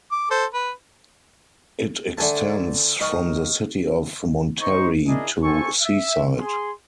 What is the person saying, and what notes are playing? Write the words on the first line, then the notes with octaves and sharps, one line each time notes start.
It extends from the city of Monterey to Seaside.
D6
A4 C5
B4
D3 A3 G#5 A5
D#4 A#4 C#6
D#4 C5 C#6
D4 E4 G#4 A#4 D#5
A4 C5 G#5 C#6
E5
G#4 C6